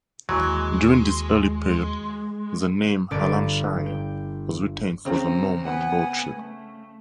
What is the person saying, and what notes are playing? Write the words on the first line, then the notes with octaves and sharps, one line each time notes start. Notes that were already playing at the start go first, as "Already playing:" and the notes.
During this early period, the name Hallamshire was retained for the Norman lordship.
D#2 E3 F#3 G#3 A#3
G1 D5 D6 D#7
G5
C#3 C4 A#5
B3 F#5 G#5
A3